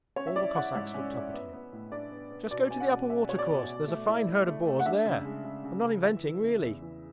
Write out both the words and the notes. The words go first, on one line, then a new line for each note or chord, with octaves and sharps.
All the Cossacks looked up at him. 'Just go to the upper water-course, there's a fine herd of boars there. I'm not inventing, really!
C#4 C#5
E5
E4 D5
E4 F#5
G#2 E5
C#4
E4
B3
B3
A2
D4 D5
B3
B3
B2 D5
C#4 G#5
F#5
B2
C#4 E5
B2 C#5
D5
B2
B2
A3
E4
E4
A3
A3
F#5
D4 E5
C#3
G#3
C#3
C#3
C#3
E3 E5
E3
C#3
E2
E3